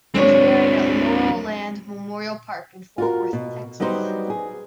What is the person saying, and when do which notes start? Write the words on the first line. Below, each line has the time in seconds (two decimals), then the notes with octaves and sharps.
He was buried at Laurel Land Memorial Park in Fort Worth, Texas.
0.15 F#3 G#3 C4 D4 C#5
2.98 F4 F#4 A#4
3.33 B2
3.80 F#3 G3 B3 D#4 C5
4.30 G#4